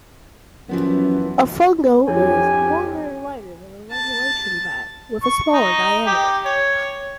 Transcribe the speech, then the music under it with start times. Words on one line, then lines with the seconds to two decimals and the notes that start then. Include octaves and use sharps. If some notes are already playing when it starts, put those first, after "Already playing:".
A fungo is longer and lighter than a regulation bat, with a smaller diameter.
0.69 F#2 E3 F3 B3
2.08 F2 D4 E4 G4 C#5 G#5
3.91 A5
5.23 C#6
5.53 D#4
6.06 G4
6.45 C#5